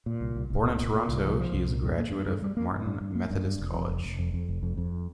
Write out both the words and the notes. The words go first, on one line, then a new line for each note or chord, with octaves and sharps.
Born in Toronto, he is a graduate of Martin Methodist College.
A#2
C2
C2
C2
A#2
A#2
A#2
C2
F3
F3
C2
A#2
G2
A#3
G2
G2
G3
A#3
G2
G2
G2
A#3
G2
G2
F1
F2
F1
F1
F2
F2
F1
F2
F2